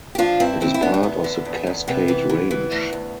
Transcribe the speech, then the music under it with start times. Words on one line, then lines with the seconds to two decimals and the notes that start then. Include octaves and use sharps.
It is part of the Cascade Range.
0.15 G4
0.18 F3 D4 F4
0.40 G2 C4 E4
0.61 F2 C4 E4
0.74 E4
0.82 F2 B3 D4
0.94 A3
1.03 E2 B3
1.24 D3
1.45 E2
1.67 E2
1.88 C3 B3
2.08 E3
2.29 E3
2.51 E3
2.72 D2
2.93 D2